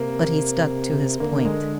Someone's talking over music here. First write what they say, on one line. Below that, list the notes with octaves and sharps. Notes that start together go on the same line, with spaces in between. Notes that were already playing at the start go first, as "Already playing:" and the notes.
But he stuck to his point.
Already playing: C3 A#3
D3 A#3
G#3